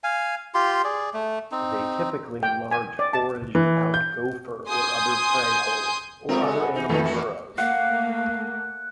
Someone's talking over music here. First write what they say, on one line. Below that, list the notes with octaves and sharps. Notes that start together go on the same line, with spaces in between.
They typically enlarge foraged out gopher or other prey holes, or other animal burrows.
F5 G#5
F4 G4 C6
G#4 D5
A3
C4 D#4
G5
G#5
D5
A5
E3
G6
G#5 C6 D#6 G6
F#2 G#3 C4 F4 A#4 G5 A#5 D#6
B2 G#3 F#4 A4 G#5 D#6
F#5 G#5
E3 D#4
F2 D#3 A3 D#4
E3 B3 F#4
A3 A#3 F5 F#5